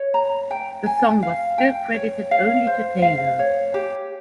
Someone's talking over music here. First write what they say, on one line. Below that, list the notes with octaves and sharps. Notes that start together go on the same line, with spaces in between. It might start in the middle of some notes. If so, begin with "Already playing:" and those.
The song was still credited only to Taylor.
Already playing: C#5
A#5
G5
G#5
F5
G5
C#5
F5
C5
F5
C#5
G4